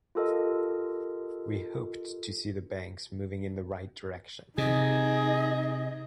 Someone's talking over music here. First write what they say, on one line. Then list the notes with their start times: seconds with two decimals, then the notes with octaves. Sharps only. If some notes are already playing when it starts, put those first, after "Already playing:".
We hoped to see the banks moving in the right direction.
0.15 F4 G4 A4 A#4 D#5
4.58 C3 D#4 G#4 D#5